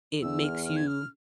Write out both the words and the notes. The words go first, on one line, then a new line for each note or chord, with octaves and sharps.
it makes you
E2 E6
F6
F6
G#6
F6